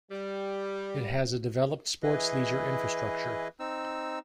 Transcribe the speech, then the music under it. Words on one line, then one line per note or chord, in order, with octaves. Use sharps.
It has a developed sports-leisure infrastructure.
G3
E3 E4 G#4 B4 D#5
C4 D#4 E6